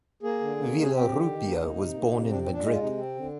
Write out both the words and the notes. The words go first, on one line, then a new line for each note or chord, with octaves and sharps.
Villarrubia was born in Madrid.
A#3 G#4
D3
A#3
C3
G#4
C4 G4
D3
D#3
A#3
D4
A#3 D#4
C3
A#3
C3
C4 D4
C4
A#2
D4
G#3 D#4
F4
C3 D#4
C4
D3